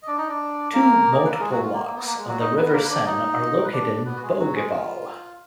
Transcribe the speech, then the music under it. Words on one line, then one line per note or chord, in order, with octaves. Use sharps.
Two multiple locks on the River Seine are located in Bougival.
D#5
D4 D5
D#4 D#5
D4 D5
A#3 A#4
D#5
D5
B4
A#4
G#3 G#4
F#3 F#4
F4
A#3
A#3
B3
A#3
G#3
F#3 F#4
D#4 D#5
B3 B4
B4
A#3 A#4
B4
D4 D5
D#4 D#5
A#4
B4
D4 D5
B3 B4
F#4
G#3 G#4
F#3 F#4
G#3 G#4
F4